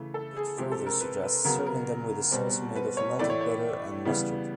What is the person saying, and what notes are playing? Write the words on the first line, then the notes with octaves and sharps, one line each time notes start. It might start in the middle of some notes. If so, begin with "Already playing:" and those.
It further suggests serving them with a sauce made of melted butter and mustard.
Already playing: C#3 E3 A3
A4
G#4
C3 F3 G#3 G4
A4
A#4
B4
B4
C#3 F#3 B3 A#4
A#4
B2 G3 C4
B4
C#5
A2 E3 A3 D5
C#5
C#5
C#3 E3 G3 B3